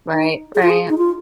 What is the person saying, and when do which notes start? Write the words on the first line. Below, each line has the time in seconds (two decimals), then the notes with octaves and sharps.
Right, right.
0.13 D#4
0.55 G#4
0.62 F4
0.70 G#4
0.89 D#4
0.98 F4